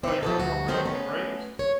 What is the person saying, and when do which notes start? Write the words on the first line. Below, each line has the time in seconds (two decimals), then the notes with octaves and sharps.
Oh, you're out walk around all the graves?
0.04 C4 D#4
0.23 F3 B3 A4
0.40 D2 G2 F#4
0.68 D#3 F#3 C4 F#4 A4 C5
0.85 A3 B3 C#4
1.59 C#5